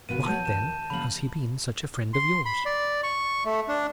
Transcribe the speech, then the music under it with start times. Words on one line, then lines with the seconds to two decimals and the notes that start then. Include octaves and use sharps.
"Why, then, has he been such a friend of yours?"
0.09 A#2 B3 F#4 D#7
0.26 F#3 C#5 F#5 A5 G6
0.45 D#2 A5 E7
0.90 C#3 F#3 A#3 B5 F#7
2.14 C6
2.46 B5
2.66 D5
3.03 C#6
3.45 A3
3.68 D4